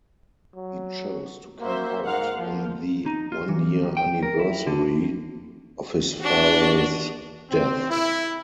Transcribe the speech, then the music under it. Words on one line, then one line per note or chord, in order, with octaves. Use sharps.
He chose to come out on the one-year anniversary of his father's death.
F#3
A#3 F#4 C5 E5
G#2 A#4 F5 F#5
F3 A#3
D#4
F4
E3
D#2
G5
A#4
E4
D3
D4 F#4
C4
E4